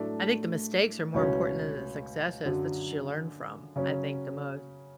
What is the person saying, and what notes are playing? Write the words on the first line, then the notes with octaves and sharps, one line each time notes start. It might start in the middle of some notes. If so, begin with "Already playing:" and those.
I think the mistakes are more important than the successes, that's ya learn from, I think, the most
Already playing: A2 F#3 A3 D4
C#2 B2 F#3 C#4 E4
F#2 D3 F#3
C#3 F#3 C#4